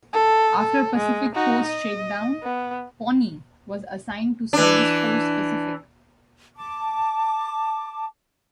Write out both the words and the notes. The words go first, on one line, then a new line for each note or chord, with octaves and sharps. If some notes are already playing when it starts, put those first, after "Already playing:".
After Pacific coast shakedown "Pawnee" was assigned to Service Force, Pacific.
A4
A4
G#3
D#4 F#4
D#5
B3
E3 D4
A5 D6